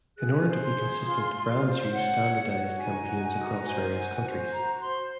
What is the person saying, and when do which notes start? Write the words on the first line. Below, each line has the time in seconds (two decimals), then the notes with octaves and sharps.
In order to be consistent brands use standardised campaigns across various countries.
0.18 G#4 F#6
0.47 C5
0.62 C6
0.76 G#4
1.05 F4
1.33 F4
1.63 C5
1.92 C#5 F#5
2.21 C#5
2.50 F#4
2.78 D#4 G#5
3.08 F#4
3.36 D#4
3.65 C5 G#5
3.95 F#4
4.24 C5
4.52 F#4 A#5
4.82 C5 C6